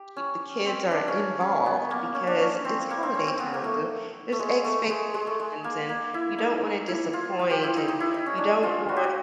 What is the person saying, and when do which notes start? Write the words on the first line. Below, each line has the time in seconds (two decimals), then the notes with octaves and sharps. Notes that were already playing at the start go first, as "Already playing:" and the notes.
if the kids are involved because it's holiday time, the there's expectations, and you don't wanna disappoint, and you don't want
Already playing: G4
0.16 C#4
0.66 C4
0.91 D4
1.08 C#4
1.41 C#4
1.66 B3
1.90 A#3
2.15 C#4
2.27 D4
2.41 C#4
2.65 C4
2.91 A#3
3.03 C4
3.15 C#4
3.27 C4
3.39 B3
3.54 A#3
3.64 A3
4.32 A3
4.39 G#3
4.64 A3
4.90 G#3
5.14 G#3
5.27 A3
5.40 G#3
5.64 A#3
5.89 A#3
6.14 E4
6.38 D#4
6.88 E4
7.13 F4
7.39 F4
7.51 G4
7.64 E4
7.77 D#4
7.88 D#4
8.00 E4
8.14 D#4
8.26 C#4
8.38 D4
8.63 F4
8.89 F#4
8.96 G4
9.04 F#4